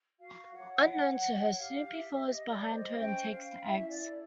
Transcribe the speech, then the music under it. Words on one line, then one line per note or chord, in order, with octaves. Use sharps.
Unknown to her, Snoopy follows behind her and takes the eggs.
F#4 F5
C#5 F#5
C#5
C#5
G4 F5
G4 E5
G4 D#5
D5
C5
D#5
C#4 G5
C#4 F5
E4 E5
D5
A4